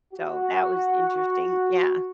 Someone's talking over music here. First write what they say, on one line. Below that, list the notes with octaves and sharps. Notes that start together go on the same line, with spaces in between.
So that was interesting, yeah.
F#4